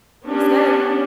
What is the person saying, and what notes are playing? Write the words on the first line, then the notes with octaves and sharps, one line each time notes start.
you said,
B3 C#4 D4 G4